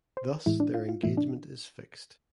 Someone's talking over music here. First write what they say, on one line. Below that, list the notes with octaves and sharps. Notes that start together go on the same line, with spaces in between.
Thus their engagement is fixed.
C5
A2 E3 G#3 E4
D4
F4
F4
A2 E3 A3 E4
D4